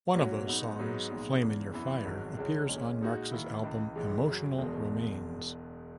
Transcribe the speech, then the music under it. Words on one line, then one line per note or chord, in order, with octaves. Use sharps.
One of those songs, "Flame In Your Fire", appears on Marx's album "Emotional Remains".
A#2 F#3 C#4 F#4
G#2 F#3 B3 D#4
G#2 F#3 B3 D#4
A#1 A#2 G#3 B3 D#4
E2 C#3 E3
F#2 E3 B3 E4
G#1 G#2 F#3
C#2 C#3 E3 G#3 C#4
B1 A#2 G#3 C#4
A#2 G#3 D#4 F#4
D#2 D#3 A#3 E4
C#2 C#3 E3
A#1 G#2 E3 G#3
F#2 C#3 F#3
E1 E2 B2 G#3